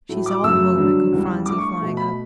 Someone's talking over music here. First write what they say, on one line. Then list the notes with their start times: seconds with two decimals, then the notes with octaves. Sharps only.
"She's all home," echoed Phronsie, flying up.
0.09 A2 F#3 A3
0.26 D6
0.44 F#2 C#3 F#3 A3 E6
0.77 G2 D3 F#3
1.12 E2 C#3 E3 G3
1.46 G2 E3 A3 D6
1.58 C#6
1.69 C#6
1.81 B2 A3
1.97 B5